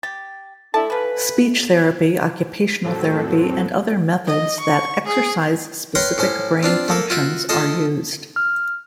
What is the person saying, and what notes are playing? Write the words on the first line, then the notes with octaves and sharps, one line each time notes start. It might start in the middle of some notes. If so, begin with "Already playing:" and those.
Speech therapy, occupational therapy, and other methods that "exercise" specific brain functions are used.
G4 A6
A3 D4 E4 A4 A5
E3 F3 B4
F2 A2 F#3 C4 A4
D#5
C#6
G#4
B4 C#5 F5 G5 A#5 C6
A2 C#4 C5
C4 D4 F4
A3 A#3 A4
F4 F#4 E5
A3 F4 A4 D#5 A5
F6